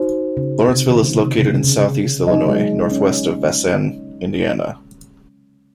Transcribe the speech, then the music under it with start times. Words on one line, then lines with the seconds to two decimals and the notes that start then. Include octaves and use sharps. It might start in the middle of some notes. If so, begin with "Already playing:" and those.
Lawrenceville is located in southeast Illinois, northwest of Vincennes, Indiana.
Already playing: D#4 F#4 C5
0.37 C#3
0.69 C3
0.90 D#3
1.00 C#3
1.21 C3
1.38 C3
1.42 C#3
1.64 C#3
2.27 F#3 D#4 G#4 D#5
2.49 G#3
2.91 C#4